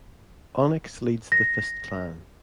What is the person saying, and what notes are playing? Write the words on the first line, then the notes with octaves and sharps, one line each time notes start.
Onyx leads the Fist Clan.
A#6